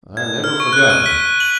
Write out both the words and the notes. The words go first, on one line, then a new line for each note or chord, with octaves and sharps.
I never forgot them.
G#6
F6
C#6
F#6
D#7
B6
F#7